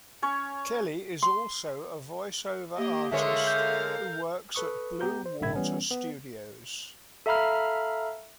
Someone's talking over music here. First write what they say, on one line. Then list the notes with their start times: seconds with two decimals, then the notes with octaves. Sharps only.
Kelly is also a voice-over artist who works at Blue Water Studios.
0.22 C#4 C#5
1.22 C6
2.78 A#3 G4 D#5
3.12 D3 G#3 A4 A#4 C#5 E5 F5
3.47 G6
4.55 A4 B4 C#6 D#6
5.01 B3 G4 A#5 G6
5.26 C5
5.41 A#1 G#2 C#3 E5 B5 G#6
5.56 E3 G3 B3 C#4
5.91 B3
7.26 A4 E5 F5 A#5 B5 F6